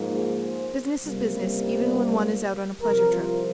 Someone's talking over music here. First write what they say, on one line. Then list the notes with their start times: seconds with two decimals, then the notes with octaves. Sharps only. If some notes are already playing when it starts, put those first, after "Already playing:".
Business is business, even when one is out on a pleasure trip.
Already playing: G#2 F3 A#3
0.12 G#4
0.42 C5
1.01 C#2 C3 G3 A#3
2.81 C2 C3 F3 A#4
3.12 F4